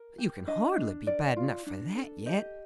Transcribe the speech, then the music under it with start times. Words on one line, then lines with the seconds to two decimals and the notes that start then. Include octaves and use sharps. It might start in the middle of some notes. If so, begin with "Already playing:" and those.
But you can hardly be bad enough for that yet.
Already playing: A#4
0.18 G4
0.47 D4 D#5
0.78 D4
1.06 A#4 D5
1.36 F4
1.66 D4
1.95 A4
2.26 G4 D#5